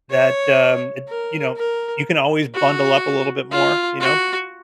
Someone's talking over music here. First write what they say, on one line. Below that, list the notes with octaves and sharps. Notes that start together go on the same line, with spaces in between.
that, um, eh you know, you can always bundle up a little bit more. You know?
C#5
A#4
A#4
F#4
F4
F#4